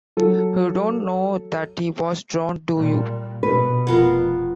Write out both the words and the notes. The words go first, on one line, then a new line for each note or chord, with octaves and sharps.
You don’t know that he was drowned, do you?
F#3 A4
A#2 G3
B2 B4
F1 B3 F4 A#4